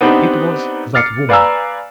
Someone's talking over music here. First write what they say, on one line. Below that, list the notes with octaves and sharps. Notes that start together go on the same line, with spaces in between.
It was that woman.
B3 C4 D4 D#4 G4 B4
D6 F6 A6 C7 C#7
B4 D5 F5 G#5 A#5 E6